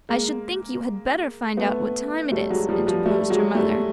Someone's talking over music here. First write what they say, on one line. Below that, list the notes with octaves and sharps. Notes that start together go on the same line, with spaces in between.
"I should think you had better find out what time it is," interposed her mother.
G#3 A#3
A3 B3
G3 A3
F#3 G#3
F3 G3
F3 G3
G3 A3
F#3 G#3
G3 A3